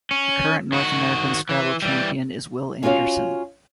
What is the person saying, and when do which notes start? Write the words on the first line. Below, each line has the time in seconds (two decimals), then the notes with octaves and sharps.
The current North American Scrabble Champion is Will Anderson.
0.11 C#4
0.72 D#3 F#4
1.49 E3
1.82 E3 G3
2.83 C#4 F4 F#4 C#5 F5